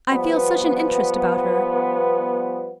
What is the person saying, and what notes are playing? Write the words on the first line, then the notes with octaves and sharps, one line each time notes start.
I feel such an interest about her.
F3 G3 B3